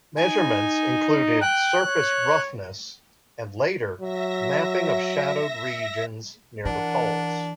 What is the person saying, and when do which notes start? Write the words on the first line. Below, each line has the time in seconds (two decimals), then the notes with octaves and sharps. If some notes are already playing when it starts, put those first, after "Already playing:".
Measurements included surface roughness and later mapping of shadowed regions near the poles.
0.17 D#4 G#5
1.41 G5 F#6
1.86 C#5
4.01 F#3 E5 A#6
6.65 E3 D4 A#4 F#5